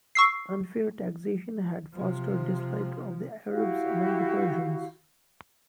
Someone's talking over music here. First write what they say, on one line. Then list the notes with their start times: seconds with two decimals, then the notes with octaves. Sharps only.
Unfair taxation had fostered dislike of the Arabs among the Persians.
0.15 C#6 E6 C7
1.95 C3 F3
3.51 E4 F#4 G4 F5